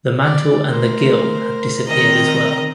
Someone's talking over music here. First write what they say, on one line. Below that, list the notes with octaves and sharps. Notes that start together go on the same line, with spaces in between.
The mantle and the gill have disappeared as well.
D5
A3 A#4 C5
D#3 C4 A#4 D#5 A#5